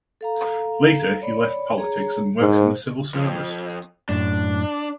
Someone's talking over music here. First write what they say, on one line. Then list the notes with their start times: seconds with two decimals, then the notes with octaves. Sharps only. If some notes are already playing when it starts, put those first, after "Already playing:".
Later he left politics and works in the civil service.
0.21 A4 F5 A#5
1.21 C#5 D5 B5
1.78 G#4 C#5 A#5
2.40 G#2 A#4 C5
3.14 F2
4.09 F#2 A2 D4